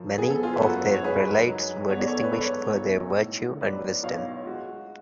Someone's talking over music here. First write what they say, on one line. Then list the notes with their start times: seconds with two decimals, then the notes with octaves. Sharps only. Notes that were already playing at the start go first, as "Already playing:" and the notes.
Many of their prelates were distinguished for their virtue and wisdom.
Already playing: F#2 F3
0.18 B3 G#4
0.30 A4
0.43 F4 G#4
0.53 B4
0.61 F#2 F#4 A4
0.93 C#5
1.04 G#2 G#4 B4
1.47 F#3
1.89 B3 C#5
1.98 D5
2.07 A4 C#5
2.23 B4
2.32 G#2 A4 C#5
2.75 B1
3.18 A2
3.61 F#3 B4 D5
4.03 B1 C#5 F5
4.43 F4
4.47 G#3 F#4